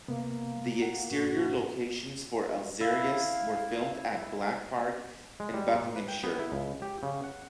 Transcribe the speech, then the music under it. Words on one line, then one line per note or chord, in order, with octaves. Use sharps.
The exterior locations for Alzarius were filmed at Black Park in Buckinghamshire.
C3 A#3 B3
F#5
G2 A#2 A#3 F#4
E4 F5
G#3
G3
A#2
B4
G5
B3
E4
C#2
G4
C#3
F#5